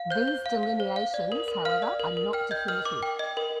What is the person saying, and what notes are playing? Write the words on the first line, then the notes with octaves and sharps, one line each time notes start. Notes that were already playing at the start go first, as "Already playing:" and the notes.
These delineations, however, are not definitive.
Already playing: F5
C5 G6
C5
F5
F5
C5
F5
D5
A#4
A#4
F5 F6
D5
A#4
A#4
G5 F6
D#5 G6
A#4 F6
A#4 D6
G5
D#5
A#4